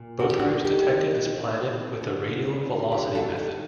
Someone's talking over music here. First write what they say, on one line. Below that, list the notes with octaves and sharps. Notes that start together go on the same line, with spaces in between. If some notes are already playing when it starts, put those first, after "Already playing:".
Both groups detected this planet with the radial velocity method.
Already playing: A#2
D#3 F#4
G4
D4 F#4
D#3 D#4 G4
C4
C4
D3
D3
C4 D#4 G4
F#4 A4
D#3 D#4 G4